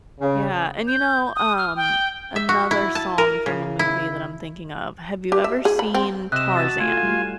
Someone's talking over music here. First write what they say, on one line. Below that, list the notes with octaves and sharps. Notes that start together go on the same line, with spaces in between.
Yeah, and, you know, um, another song from a movie that I'm thinking of, have you ever seen "Tarzan"?
C#3
G6
D#6
F6
G5
E5
F#4
E4
A5
A#4
C#3
E4
G4
E5
G#4
B5
C4
C3 D#5 E5 F#6 E7
F#4 A5
A3 E4 F4 G#5
G3 A3